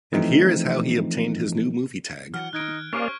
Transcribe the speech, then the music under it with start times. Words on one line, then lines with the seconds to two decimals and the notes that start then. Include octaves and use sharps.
And here is how he obtained his new movie tag.
0.13 E3 F3 A3 C4 D#4
2.34 E3 F#3 F#5 F6
2.53 D#3 D#4 F#6 G#6 D7
2.93 A#3 C#4 G4 C5 D5 F5 G#5 C#6